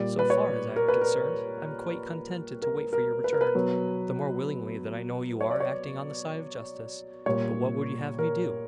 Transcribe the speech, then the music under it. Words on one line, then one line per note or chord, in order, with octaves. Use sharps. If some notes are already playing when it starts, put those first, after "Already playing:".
"So far as I am concerned, I'm quite contented to wait for your return; the more willingly that I know you are acting on the side of justice. But what would you have me do?"
Already playing: A#2 G3 D5
B4
C#5
A#4
B4
A#4
A#4
A#4
B4
A#4
B4
B2 F#3
C#5
D5
C#5
A#2 G3 C#5
A#4